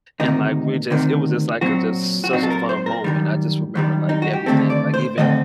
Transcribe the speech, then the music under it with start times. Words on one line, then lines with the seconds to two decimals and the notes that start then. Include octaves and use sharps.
and like we just, it was just, like, a just such a fun moment, I just remember, like, everything, like, even
0.20 D2 C3 D#3 D#4
0.90 D2 C3 D#3
1.61 A#2 F#3 C4 F#4
2.24 F#4
2.33 A#2 F#3 C4 D#4
2.43 A4
2.50 A#4
2.69 C5
2.86 A#4
3.04 F#2 D#3 G3
3.75 F#2 D#3 G3
4.09 D#4
4.22 F#4
4.33 G4
4.46 D#2 D3 A3 C4 A4
4.70 D5
4.94 C5
5.17 D#2 D3 A3 C4 D#5